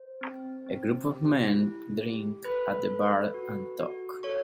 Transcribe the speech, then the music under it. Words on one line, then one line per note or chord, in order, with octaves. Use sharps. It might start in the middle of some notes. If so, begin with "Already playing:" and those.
A group of men drink at a bar and talk.
Already playing: C5
C4
C4
G4
E4
G4
A4 B4 B5
A4
F#4
F#4
A4 C#5 C#6